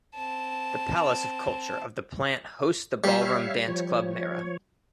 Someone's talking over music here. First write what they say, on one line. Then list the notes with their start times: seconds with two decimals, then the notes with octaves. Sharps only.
The Palace of Culture of the plant hosts the ballroom Dance Club Mara.
0.15 C4 A5
3.04 G3 C#5 E5 F5
3.68 F3 C#5